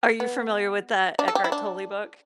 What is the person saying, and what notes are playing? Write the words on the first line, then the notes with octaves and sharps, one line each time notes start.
are you familiar with that Eckhart Tolle book?
B3
D4
A4
G4
E4
D4